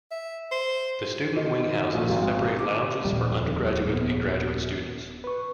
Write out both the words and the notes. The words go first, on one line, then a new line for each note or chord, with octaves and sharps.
The student wing houses separate lounges for undergraduate and graduate students.
E5
C5
D#3
A#1
G#1
D6
D#1 F2 A#2 G3
B3
B4 C#6